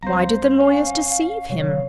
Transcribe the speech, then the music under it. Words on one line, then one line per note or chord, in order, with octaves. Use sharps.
"Why did the lawyers deceive him?"
D2 G3 C4 C5 F5 A#5
C#4
C3 F#3 C#5